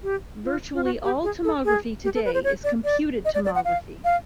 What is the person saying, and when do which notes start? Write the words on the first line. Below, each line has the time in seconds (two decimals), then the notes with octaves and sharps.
Virtually all tomography today is computed tomography.
0.03 G4
0.44 F4
0.74 F4
0.84 F#4
1.04 G4
1.24 G#4
1.44 A4
1.65 G#4
2.04 G4
2.15 A4
2.25 B4
2.34 C5
2.44 C#5
2.64 D5
2.84 D5
3.25 D#5
3.35 D5
3.45 D5
3.55 F#5
3.65 F5
4.05 F5